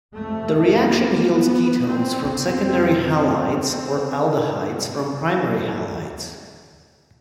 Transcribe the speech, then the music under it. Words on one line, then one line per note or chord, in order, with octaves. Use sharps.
The reaction yields ketones from secondary halides or aldehydes from primary halides.
F2 C3 A3
A#3
B3
C4
F2 C3 C4
C4
C4